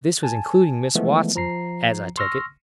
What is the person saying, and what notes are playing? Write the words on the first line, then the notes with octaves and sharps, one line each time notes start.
This was including Miss Watson, as I took it.
G#5 A5
E3 F3 G#3 A3 B3
F3 A#5 C7
C6 C#6 E6 F6 A#6